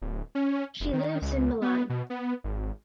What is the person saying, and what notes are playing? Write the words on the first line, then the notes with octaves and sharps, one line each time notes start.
She lives in Milan.
D1
C#4
F1
D#3
C#2
B3
B2
B3
G#1